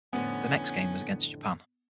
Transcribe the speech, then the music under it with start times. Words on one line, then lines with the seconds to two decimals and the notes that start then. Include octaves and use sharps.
The next game was against Japan.
0.13 F2 A2 D3 B3 C#4